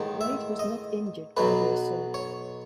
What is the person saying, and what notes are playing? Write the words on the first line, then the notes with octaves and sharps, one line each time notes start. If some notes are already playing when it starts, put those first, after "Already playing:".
Wade was not injured by the assault.
Already playing: A1 G#2 D#3
E5
D#5
B1 B2 F#3 B4
C#5